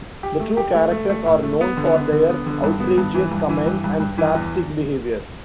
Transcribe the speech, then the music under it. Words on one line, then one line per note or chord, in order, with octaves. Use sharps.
The two characters are known for their outrageous comments and slapstick behavior.
G4
A3
G4
A3
A3
A3
A2
A3
B3
D3
B3
D3
B3
D3
G2
B3
G2
E3
G2
E3
G2
G2
G2
E3
E2